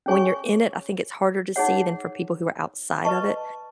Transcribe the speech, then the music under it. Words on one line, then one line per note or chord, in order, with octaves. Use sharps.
when you're in it, I think it's harder to see than for people who are outside of it,
C#4 G#4 C#5 G#5 C#6
D#4 G#4 C#5 F#5
B4 D#5 A5 C#6